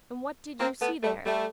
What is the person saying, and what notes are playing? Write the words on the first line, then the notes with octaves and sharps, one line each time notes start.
'And what did you see there?'
A#3 C4
A3 B3
G3 A3
G3 A3